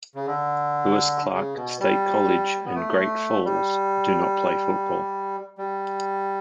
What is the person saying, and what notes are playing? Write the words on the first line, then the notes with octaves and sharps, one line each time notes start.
Lewis-Clark State College and Great Falls do not play football.
C#3
D3
C#3
B2
G3
B3
A3
G3
G3